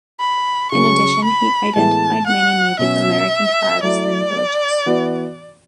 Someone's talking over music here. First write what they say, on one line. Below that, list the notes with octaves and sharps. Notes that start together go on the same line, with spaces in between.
In addition, he identified many Native American tribes and villages.
B5
C#3 F#3 C#4 C#6
B5
A2 E3 G#3 B3 E4 A5
F#5
B2 F#3 C#4 E5
F#3 A3 E4 D5
E3 B3 F#4